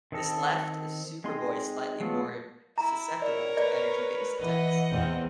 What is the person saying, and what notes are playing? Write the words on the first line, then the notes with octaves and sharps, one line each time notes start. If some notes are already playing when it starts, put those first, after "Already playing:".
This left Superboy slightly more susceptible to energy-based attacks.
D#3 C4 A4 D#5
G#3 C4 D#4 C6
F#3 G#3 A3 B3 F4
E4 A#5
A#4 C#5 D5
B4 D5
E3 B4 D#5 F#5
E2 C4